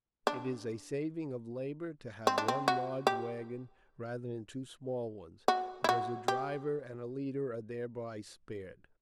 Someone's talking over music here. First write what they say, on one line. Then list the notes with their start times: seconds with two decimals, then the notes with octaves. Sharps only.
It is a saving of labour to have one large wagon, rather than two small ones, because a driver and a leader are thereby spared.
0.27 D4
2.27 C4
2.38 D4
2.48 C4
2.68 F#4
3.07 G4
5.48 F#4
5.84 E4
5.89 F#4
6.28 G4